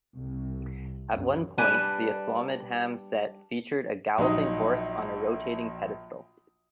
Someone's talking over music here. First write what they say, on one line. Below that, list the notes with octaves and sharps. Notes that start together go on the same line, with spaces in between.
At one point, the "Aswamedham" set featured a galloping horse on a rotating pedestal.
C2
F#2
G3 D4 B4 G#5
A#1 F#3 D#4 D#6